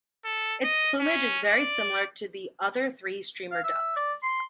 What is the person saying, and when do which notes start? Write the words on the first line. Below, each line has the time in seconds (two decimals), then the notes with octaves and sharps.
Its plumage is very similar to the other three steamer ducks.
0.25 A4
0.64 D#5
0.99 C#4
1.48 D5
3.51 F5
3.63 E5
3.96 D5
4.23 C6